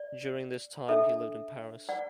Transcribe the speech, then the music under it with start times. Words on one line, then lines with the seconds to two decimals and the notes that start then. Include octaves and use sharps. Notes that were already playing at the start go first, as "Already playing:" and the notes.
During this time he lived in Paris.
Already playing: D5
0.89 D4 A4 E5
1.89 D5 F#5